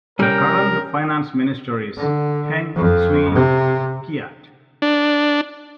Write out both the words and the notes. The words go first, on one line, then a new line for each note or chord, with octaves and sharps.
The current Finance Minister is Heng Swee Keat.
C2 G3 C#4 A#4 G5
D3
F2
C3
D4